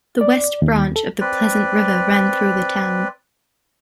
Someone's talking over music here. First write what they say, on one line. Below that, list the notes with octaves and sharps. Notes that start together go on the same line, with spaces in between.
The West Branch of the Pleasant River ran through the town.
D5
D#2
A4
C4 B4 D5